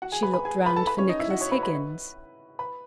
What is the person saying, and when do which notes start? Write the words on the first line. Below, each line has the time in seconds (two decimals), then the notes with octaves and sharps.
She looked round for Nicholas Higgins.
0.02 F#4 F#5
0.12 G#4 G#5
0.23 B4 B5
0.34 B4 B5
0.45 G#4 G#5
0.66 B4 B5
0.76 A4 A5
0.87 B4 B5
0.98 C#4 C#5
1.09 D#4 D#5
1.20 E4 E5
1.30 F#4 F#5
1.41 C#5 C#6
1.52 B4 B5
1.63 B4 B5
2.59 B4 B5